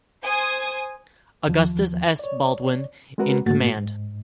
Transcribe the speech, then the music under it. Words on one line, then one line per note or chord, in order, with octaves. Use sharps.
Augustus S. Baldwin in command.
C5 G#5 D#6
D#2 F3
C#5 D5
G#3 C4 F#4 A#4 B4
G#2 A3 A#3 F#4 A6
G#2